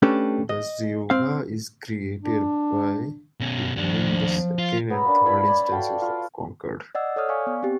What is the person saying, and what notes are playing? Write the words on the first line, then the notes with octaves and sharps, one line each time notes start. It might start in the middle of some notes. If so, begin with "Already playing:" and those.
The zeugma is created by removing the second and third instances of "conquered".
A3 C#4 D4 G4 A4 B4
D#5
C4 F5
D4
B2 C#4
D#2 F3 D4
F4
B3 C#4 A#5 E6
A#3 D4 B4 F5
E4 D5 B5
E4 C#5 D5
F#4 A4 F5 G5
F4
D5 D#5 F#5 E6
A4 C#5 D5 D#6 F6
D5 F5 G#5 C#6
B3
C4 G4